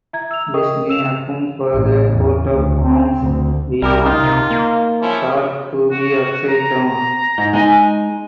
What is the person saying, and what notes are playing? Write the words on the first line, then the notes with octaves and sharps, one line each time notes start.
This may account for the coat of arms being thought to be upside down.
E5 A#5 G#6
E6 F7
A4 A#4 D#5 G5 C#6 D#6
E6 E7 F7
A1
E2
D2
C4
D2
C2 G3 E4 G4 A#4
D#4 F4 G4 A#4
C3
A#3
F3 C#4 E4
F#4
A#5
G#2
G#3 D#4 G#5